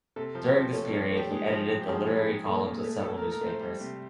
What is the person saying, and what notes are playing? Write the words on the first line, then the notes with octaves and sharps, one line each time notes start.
During this period, he edited the literary columns of several newspapers.
C3 A4
F3
G4
F3
A3 C#4
C#4
F3
D4
A3
G4
G#3
F3
G#2
G4
F3 G#4
G#2
G#4
G#3
A#2 A4
A#2
G#4
A3
A3 A4
A3 A#4
A#4
A3
C5
G3
C3